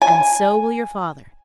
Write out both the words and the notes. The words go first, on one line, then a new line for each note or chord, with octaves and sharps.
"And so will your father."
G#5